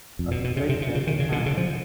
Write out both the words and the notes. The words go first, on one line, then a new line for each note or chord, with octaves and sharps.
A split was at hand.
F2
B2
B2
C3
C3
C3
C#3
D#3
C#3
D3
C#3
F3